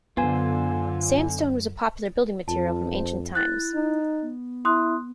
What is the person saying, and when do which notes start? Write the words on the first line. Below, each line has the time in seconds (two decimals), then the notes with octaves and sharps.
Sandstone was a popular building material from ancient times.
0.17 F#2 D3 B3 F4 C5 G#5
2.48 F2 F4 A5
2.91 C5
3.35 E4 F#6 A6
3.74 D#4
4.22 B3
4.65 E4 C6 D#6 F#6